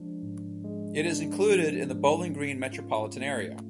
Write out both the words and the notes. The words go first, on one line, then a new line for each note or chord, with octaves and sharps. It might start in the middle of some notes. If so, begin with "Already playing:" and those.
It is included in the Bowling Green metropolitan area.
Already playing: F3 G#3 D4
G#2
G#3
D4
F3
G#2
C#4
F4
A3